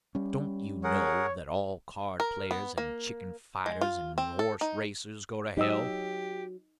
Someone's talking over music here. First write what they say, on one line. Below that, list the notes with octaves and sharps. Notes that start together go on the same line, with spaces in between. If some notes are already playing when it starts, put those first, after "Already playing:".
Don't you know that all card-players and chicken-fighters and horse-racers go to hell?
G3 C#4
G#4 A#4 C#5 F#5
A#4
B3
A#3
G#3
F4
C4
A4
D#4
F#3 D#4 G4 D#5 E6